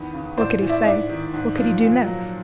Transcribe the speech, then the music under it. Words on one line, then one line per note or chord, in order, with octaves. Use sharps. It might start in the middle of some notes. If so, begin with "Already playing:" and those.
What could he say; what could he do next?
Already playing: E2 D#3 B4
C#3
A2 C5 D5
E3
D5 E5
G#2 D5 E5
D#3
G#2
F3
A#2
F#3